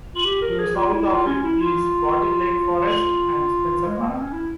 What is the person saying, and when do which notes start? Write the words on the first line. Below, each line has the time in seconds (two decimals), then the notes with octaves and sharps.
To the south of it is Bottle Lake Forest and Spencer Park.
0.15 F4
0.25 G4
0.42 A#4
0.59 G#4
0.75 F4
0.92 E4
1.10 F4
1.27 C#4
1.44 E4
1.61 F4
3.86 G#3
3.98 A#3
4.09 C4
4.21 C#4
4.32 E4